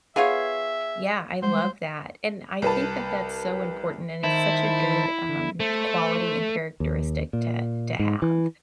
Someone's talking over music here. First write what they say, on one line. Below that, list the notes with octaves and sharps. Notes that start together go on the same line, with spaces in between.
Yeah, I love that, and I think that that's so important and it's such a good, um, quality and characteristic to to have.
B3 F4 G#4 C#5 E5 F5
G3 G#3 C5
C2 B4 A5
D#3 E4 C5 A5
D3
A3 C5
D#2
A#2
G#2
E3